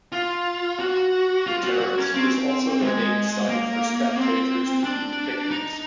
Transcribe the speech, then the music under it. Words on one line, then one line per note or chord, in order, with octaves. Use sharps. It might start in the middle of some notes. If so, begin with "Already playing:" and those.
The terrace is also the main site for spectators to eat picnics.
F4
F#4
F4
F#4
F#4
C#4
C4
G#3
A#3
C4
D4
D#4